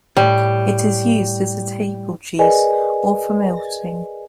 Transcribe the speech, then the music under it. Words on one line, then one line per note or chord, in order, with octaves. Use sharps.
It is used as a table cheese or for melting.
A2 G3
G#4 A#4 B4 D5 D#5 G#5